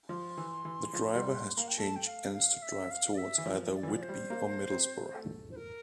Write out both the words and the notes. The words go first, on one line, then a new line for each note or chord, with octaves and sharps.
The driver has to change ends to drive towards either Whitby or Middlesbrough.
F3 C6
E3
E3
F3
G3
A#3 F5
G5
A3 A5
G5
F5
F5
E5
F5
D5
E5
E3
F3
D5
E3
F3
D5
C5
G3
A#3
C4
A3
C5
A#4